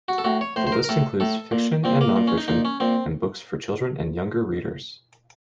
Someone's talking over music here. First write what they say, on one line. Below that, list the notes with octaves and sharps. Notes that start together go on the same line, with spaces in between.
The list includes fiction and non-fiction, and books for children and younger readers.
F#4
A4
A2 F#4
C#5
A2 C5
C5
A#4
A#4
A2 A4
A2 A4
A#2
A#2 C4
A#3
A#2
C#4
D#4
A#2 D#4
C#4
A#2 C4